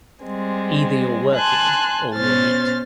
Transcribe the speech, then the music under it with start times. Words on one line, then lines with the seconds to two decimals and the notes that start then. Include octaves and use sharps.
Either you're working or you're meat.
0.24 G3 G#3 C4
1.34 G#5 A5 C6 F#6
2.14 B2 C#4 C5 F6 A6